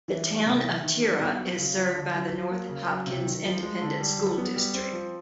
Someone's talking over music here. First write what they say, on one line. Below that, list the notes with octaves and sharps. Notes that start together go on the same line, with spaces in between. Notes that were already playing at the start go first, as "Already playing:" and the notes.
The Town of Tira is served by the North Hopkins Independent School District.
E3
G3
C3
E3
D#3
G3
B2
F#3
C#3
F3
D3
F#3
F#3
A#3
C#3
F#3
C3
D#3
F3
G#3
D3
G3
F#3
B3
G3
C4
F3